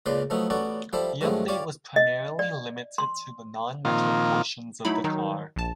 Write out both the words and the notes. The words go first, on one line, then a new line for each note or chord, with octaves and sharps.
The update was primarily limited to the non-metal portions of the car.
C#2 A#2 C#3 B4 D5 C6
F3 F#3 A3 B3 D#4 E4
A1 B3 C#4 F#4 A4 D5
F3 G3 E4 A4 C5 E5
G2 D#3 F3 F#3 G#3 A3
F4 G4 C#5 D5
D#5
D5
C6
A#2 D#3 F3 A#3 C4 F4
F#3 A3 D#4 E4 B5
D#3 F#3 D#4
A#1 A5